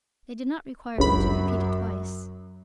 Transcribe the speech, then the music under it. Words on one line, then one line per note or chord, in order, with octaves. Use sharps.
They did not require him to repeat it twice.
G1 C#2 F#2 B5